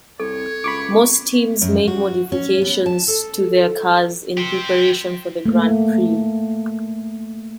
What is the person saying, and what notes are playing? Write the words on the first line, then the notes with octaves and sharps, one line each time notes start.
Some teams made modifications to their cars in preparation for the Grand Prix.
C2 A4 C#5
C#2 B5 C#6 D6
F#2
F#4
C#4
B3
A5
A4
G4 C5
A3 A#3